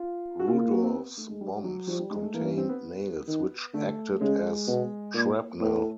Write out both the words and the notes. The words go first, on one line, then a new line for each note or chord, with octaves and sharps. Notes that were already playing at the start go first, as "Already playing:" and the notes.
Rudolph's bombs contained nails which acted as shrapnel.
Already playing: F4
F#4
A#3 F4
F4
F#4
C4
B3
A3
G#3
G3
F#3
F3 G3
G3
G#3
A3
E3 A#3
C#4
C4
B3
D#3
D3 A3
C#3 G#3
B2
A#2 A#3
A2 B3
A3